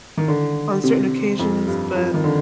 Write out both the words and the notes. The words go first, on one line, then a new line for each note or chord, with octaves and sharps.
on certain occasions, but
D#3
D3
C3
F2
G2
F3
D#3
D3